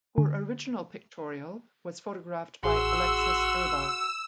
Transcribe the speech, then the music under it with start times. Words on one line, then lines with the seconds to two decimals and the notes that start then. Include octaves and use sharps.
Her original pictorial was photographed by Alexas Urba.
0.18 D3
2.64 A1 F#4 G#4 C6 E6